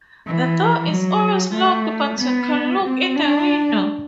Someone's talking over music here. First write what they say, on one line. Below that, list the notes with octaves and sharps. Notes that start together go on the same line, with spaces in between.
The door is always locked but you can look in the window.
E3
F#3
A3
B3
C4
D4